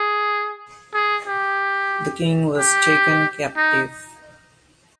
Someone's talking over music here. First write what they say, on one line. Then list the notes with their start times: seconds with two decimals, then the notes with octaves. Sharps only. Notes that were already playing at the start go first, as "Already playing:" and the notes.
The king was taken captive.
Already playing: G#4
0.94 G#4
1.27 G4
2.58 G4
3.57 D#4